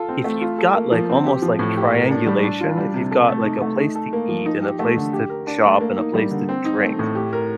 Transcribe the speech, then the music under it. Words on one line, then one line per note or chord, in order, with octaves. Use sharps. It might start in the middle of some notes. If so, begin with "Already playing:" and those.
if you've got like almost, like, triangulation, if you've got, like, a place to eat, and a place to shop, and a place to drink,
Already playing: F4 A4
C4
A3
F4
A4
A#3
F3
C4
G4
F3
A2
G4
A#4
D4
G3
D4
F4
G3
C3
A4
A3
D#4
A3
D#4
A4
A#3
F3
D#4
G4
A3
D3
G4
A#4
D4
A3
A#3
D#4
G3
D3
C4
D#4
A3
A2
G4
A#4